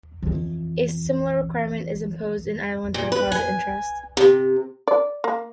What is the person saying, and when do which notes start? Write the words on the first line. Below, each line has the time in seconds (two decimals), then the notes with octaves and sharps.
A similar requirement is imposed in Ireland for deposit interest.
0.23 F2 E3
2.94 A#2
3.12 B4
3.32 G#5
4.17 C3
4.88 D5
5.24 A#3